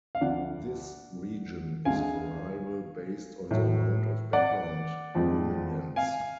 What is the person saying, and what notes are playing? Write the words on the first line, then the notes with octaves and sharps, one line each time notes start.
This region is variable based on the amount of background luminance.
F5
D2 D3 F3 D5 F#5
D2 D3 G#3 F5 G#5
A2 F#3
D5 F#5
F2 F3 G#3
F5 G#5